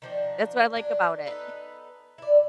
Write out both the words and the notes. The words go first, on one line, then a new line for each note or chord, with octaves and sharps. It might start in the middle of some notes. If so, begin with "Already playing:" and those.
That's what I like about it.
D#3 F3 D4
F#3 D4
B3 D#4 A4 B4
E4 D5